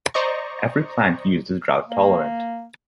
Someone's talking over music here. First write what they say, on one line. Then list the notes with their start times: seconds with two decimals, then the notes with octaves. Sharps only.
Every plant used is drought-tolerant.
0.14 C5 D5 D#5 A#5 C#6
1.88 A#3